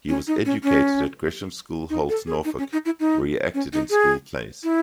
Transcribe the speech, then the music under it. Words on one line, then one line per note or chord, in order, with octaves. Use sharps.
He was educated at Gresham's School, Holt, Norfolk, where he acted in school plays.
C#4
D#4
C#4
C#4
D#4
A4
G#4
D#4
C#4
D#4
E4
D#4
C#4
D#4
G#4
E4